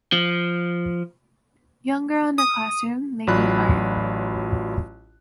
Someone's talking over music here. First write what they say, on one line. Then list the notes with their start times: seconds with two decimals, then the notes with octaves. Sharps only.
Young girl in a classroom, making art.
0.13 F3
2.38 D#6
3.27 A1 F#3 F4 D5 B5 F#6